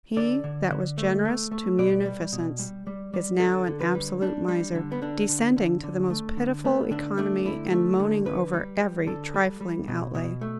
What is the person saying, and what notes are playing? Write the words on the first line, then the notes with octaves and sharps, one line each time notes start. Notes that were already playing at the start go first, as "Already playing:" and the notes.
He that was generous to munificence is now an absolute miser, descending to the most pitiful economy and moaning over every trifling outlay.
D3 D5
D3
D3
A3
A3
A3
B2 D5
G3
B2
G3
G3
G3
D3 A4
D3
B4
G3
G3 D4
G3
D3
B3
D3 D4
D3
D3
D3
A3
D3
A3 B3
D3 D4
A3 D4
D3 E4
A3
D3
D3 B4
G3
G3
D3 A4
G3
G3
B2
B2
A3